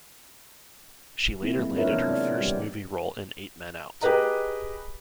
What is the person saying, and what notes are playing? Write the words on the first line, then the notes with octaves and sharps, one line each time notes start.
She later landed her first movie role in "Eight Men Out".
A#3 C4 E4
F#3 G#3
D4 F4 A#4 B4 C#5 E5
C3 E3 B3
G#3 D5
G3 G4
G4 G#4 B4 D#5 A#5